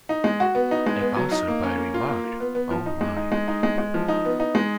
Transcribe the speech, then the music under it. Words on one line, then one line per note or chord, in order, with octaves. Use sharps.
A passer-by remarked, Oh, my!
D#4
G#3
F#4
B3
D#4
G#3
B3
F#3
D#4
A#3
C#4
A#3
F4
A#3
F4
B3
B3
F3
D#4
G#3
D#4
G#3
D#4
G#3
G#3
F3
D#4
B3
D#4
G#3